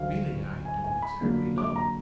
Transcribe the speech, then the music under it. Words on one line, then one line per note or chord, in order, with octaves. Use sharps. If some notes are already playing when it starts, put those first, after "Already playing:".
"Really, I don't exactly know."
Already playing: D2 D3 F#3 F5
G#5
G#5
B5
F2 D3 F#3 A#3
D6
A#5